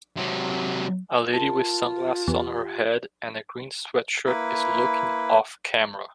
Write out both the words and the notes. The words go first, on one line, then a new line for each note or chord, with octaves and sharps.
A lady with sunglasses on her head and a green sweatshirt is looking offcamera.
C3 F#3
F4 A#4 A5
E2 G4
A#3 E4 B4